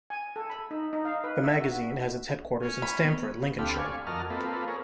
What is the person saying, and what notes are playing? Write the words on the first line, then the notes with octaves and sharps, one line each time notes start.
The magazine has its headquarters in Stamford, Lincolnshire.
G#5
A4
B5
D#4
D#4
F5
B4
E5
F#4
C#4
B5
A#3 B3
D2 C4 G4 A4 F5 B5
D5 F5 G#5 C#6
F2 F#4 A#4 D#5 A5 F6
A#3 C4 F4 A4 B4
G#4 A#4 C#5